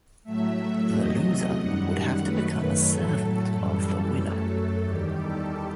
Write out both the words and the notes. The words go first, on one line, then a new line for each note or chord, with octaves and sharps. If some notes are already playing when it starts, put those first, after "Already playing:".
The loser would have to become a servant of the winner.
A2 F#3 A3 E5
E2 C3 F#3 A3 D#5
F#2 D#3 G3 F#5
F#2 D#3 F#3 A3 B4
A2 F#3 A3 A4
F#2 E3 G3
F#2 F#3 A3 A4
E2 D#3 G3 G4
A4